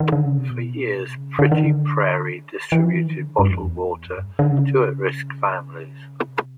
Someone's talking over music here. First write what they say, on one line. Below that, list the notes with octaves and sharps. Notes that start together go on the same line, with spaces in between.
For years, Pretty Prairie distributed bottled water to at-risk families.
D#3
D3
C#3
C3
B2
C3
C#3
D3
D#3
D3
E3
F3
E3
D#3
D3
G2
F2
E2
F2
G2
D3
C#3
C3